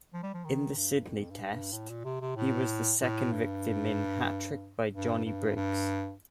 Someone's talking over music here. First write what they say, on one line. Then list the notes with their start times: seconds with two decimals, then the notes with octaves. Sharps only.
In the Sydney Test, he was the second victim in hat-trick by Johnny Briggs.
0.14 F3
0.23 G3
0.34 F3
0.45 D#3
0.77 G2
1.08 F2
1.31 G2
1.52 G2
1.73 A2
1.89 A#2
2.05 C3
2.21 C3
2.36 A2
3.01 A2
3.32 G2
4.93 G2
5.25 G2
5.56 G2